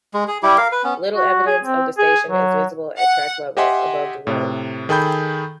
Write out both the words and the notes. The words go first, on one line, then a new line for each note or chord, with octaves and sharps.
Little evidence of the station is visible at track level, above the road.
G#3
G#4
G3 E4 G4
A#4 F5
B4
B3 C#4
F#4
G#4
C4
G#4
F#3
F#5
G4 D#5 E5 F#5 G#5 C6
A2 C3
D#3 G#4 A4 G5 B5 G6